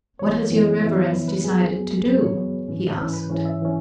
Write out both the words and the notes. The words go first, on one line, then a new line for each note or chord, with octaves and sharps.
"What has your Reverence decided to do?" he asked.
F#2 E3 B3 C#5
F#2 E3 B3
F#2 E3 B3 E5
C#5
F#2 E3 B3 B4
B4
F#2 F#3 B3 G#4
F#2 F#3 B3
F#2 F#3 B3 B4
C#5
F#2 F#3 B3
G#2 E3 C#4
G#2 E3 C#4 B4
B4
G#2 E3 C#4 C#5
E5
E3 C#4